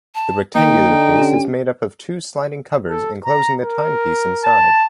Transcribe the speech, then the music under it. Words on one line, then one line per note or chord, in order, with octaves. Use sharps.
The rectangular case is made up of two sliding covers enclosing the timepiece inside.
A5
D#3 A#3 D#4 G5
D3
C#4 G4
A4
A#5
A#4
A5